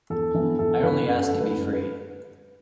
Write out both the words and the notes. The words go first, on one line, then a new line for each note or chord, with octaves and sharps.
I only ask to be free.
E2 A4
E3 B3
E2 A4
E3 B3 B4
F#2
A4
D3 F#3 A3
B4
F#2
B4